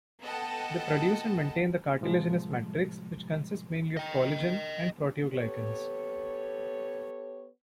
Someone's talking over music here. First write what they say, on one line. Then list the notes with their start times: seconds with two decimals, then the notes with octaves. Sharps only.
They produce and maintain the cartilaginous matrix, which consists mainly of collagen and proteoglycans.
0.24 B3 A4 D#5 F#5 G5 A5
2.01 A2 C3 F3 G3 G#3
3.97 D#5 G5
5.34 B3 G4 A4 C#5